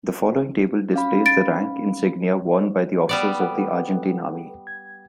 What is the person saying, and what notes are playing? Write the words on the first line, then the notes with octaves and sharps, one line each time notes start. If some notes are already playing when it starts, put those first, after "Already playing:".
The following table displays the rank insignia worn by officers of the Argentine Army.
C#4 F5 B5
A6 D7
G3 B3 D5
A4 B4 F#5
G#6